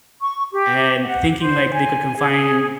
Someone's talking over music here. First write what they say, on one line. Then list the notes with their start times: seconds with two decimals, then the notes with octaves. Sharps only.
and thinking, like, they could confine
0.21 C#6
0.51 G4
1.04 F#5
1.38 C5
1.74 G#5
2.16 G#4